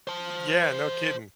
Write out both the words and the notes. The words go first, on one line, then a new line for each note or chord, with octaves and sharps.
Yeah, no kidding.
C5 A5